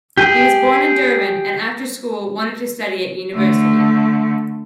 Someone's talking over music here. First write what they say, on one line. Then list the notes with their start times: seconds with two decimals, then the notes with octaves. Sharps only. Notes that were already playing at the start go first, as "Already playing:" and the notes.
He was born in Durban and, after school wanted to study at University.
0.17 G4 G#4 G5
3.34 D3 A3